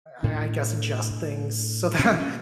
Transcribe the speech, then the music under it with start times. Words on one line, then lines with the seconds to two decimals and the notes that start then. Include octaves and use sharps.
I I guess adjust things so that
0.23 A2 D4
1.11 A2
1.99 B2 C#4
2.20 C#4